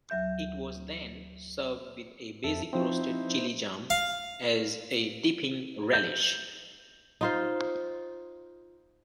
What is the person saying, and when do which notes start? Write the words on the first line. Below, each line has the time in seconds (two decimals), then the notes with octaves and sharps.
It was then served with a basic roasted chili jam as a dipping relish.
0.10 D2 F#3 E5 G6
2.44 F2 A4 E5
2.73 F3 C4 D#4 E4 C5
3.90 F5
5.93 G6
7.21 D#4 F4 C5